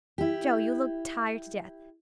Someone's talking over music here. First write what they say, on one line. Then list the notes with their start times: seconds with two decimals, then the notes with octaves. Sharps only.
Jo, you look tired to death.
0.18 E4 G4